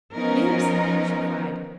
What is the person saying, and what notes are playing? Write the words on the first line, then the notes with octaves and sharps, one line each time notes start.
"Bibbs!" she cried.
F3 B3 C#4 D#4 A#4